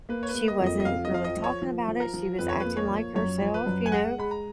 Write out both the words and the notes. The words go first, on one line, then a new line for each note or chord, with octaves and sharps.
she wasn't really talking about it, she was acting like herself, you know?
A#3 B4
C#5
B4
A#3
D#5
F2
D#5
D#5
F2 F5
D#5
F3 F5
D#5
F3
C#5
F3
F3
A#4
F3
F2 B4
C#5
A#3 B4
C#5
F3
F#2 C#5
F3
B4
F#2
G#5
G#3 F#5
G#3 B5
A#5